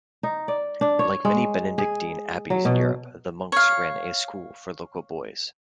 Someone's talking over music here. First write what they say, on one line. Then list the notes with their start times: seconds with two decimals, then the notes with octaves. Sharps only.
Like many Benedictine abbeys in Europe, the monks ran a school for local boys.
0.23 D#4
0.48 D5
0.81 D4
0.99 C#5
1.25 G#3
1.78 G#4
2.50 F#3
2.65 B2
3.52 C#5 F5